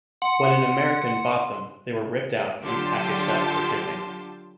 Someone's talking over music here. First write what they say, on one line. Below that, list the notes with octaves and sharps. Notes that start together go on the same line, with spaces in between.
When an American bought them they were ripped out and packaged up for shipping.
F#5 C6
D3 F#3 F4 G4 A5 C6